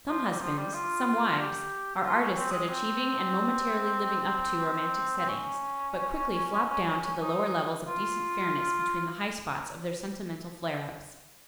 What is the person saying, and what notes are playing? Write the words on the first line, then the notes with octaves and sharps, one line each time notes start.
Some husbands, some wives, are artists at achieving and momentarily living up to romantic settings, but quickly flop down to the lower levels of decent fairness between the high spots of their sentimental flare-ups.
F3
G3
F3
G3
F4
G4
G4
F4
C#4
C4
G#3
C4
C4
C#4
D#4
F4